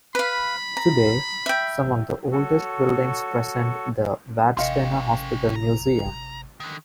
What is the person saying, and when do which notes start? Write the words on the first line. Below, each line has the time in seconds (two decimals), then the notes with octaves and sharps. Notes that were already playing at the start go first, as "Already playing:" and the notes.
Today, some of the oldest buildings present the Vadstena Hospital Museum.
0.15 B4 F5 B5
0.77 A#5
1.46 E5 G5
2.32 F#4 A4 C#5
4.57 G#1 C3 C#4 D#5 F5 G5 C6 C#7
5.55 A#5
6.60 D3 D#3